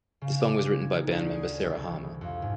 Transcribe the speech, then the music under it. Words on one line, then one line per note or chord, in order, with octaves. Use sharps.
The song was written by band member Sarah Harmer.
C#3
D6
D#1
G#6
D#4
D2
G#4
C2
E3
F2
G#2